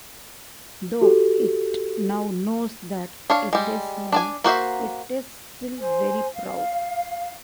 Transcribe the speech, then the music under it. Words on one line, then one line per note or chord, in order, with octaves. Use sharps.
Though it now knows that it is small, it is still very proud.
F#4 G4 A4
D4 C#5 F5
G3 G#3
D4 D5 G#5
A#3 F#4 C5 E5
C5 G#5
F5